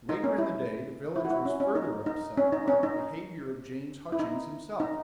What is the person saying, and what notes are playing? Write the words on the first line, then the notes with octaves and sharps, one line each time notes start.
Later in the day the village was further upset by the behaviour of James Hutchings himself.
D#4
C#4
E4
E4
F#4
E4
C#4
C#4
D#4
D#4
C#4
D#4
C#4
D#4
E4
D#4
D#4